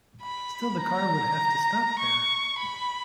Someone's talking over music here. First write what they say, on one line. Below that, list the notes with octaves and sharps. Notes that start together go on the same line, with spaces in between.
Still the car would have to stop there.
B5
A#5
C#6
B5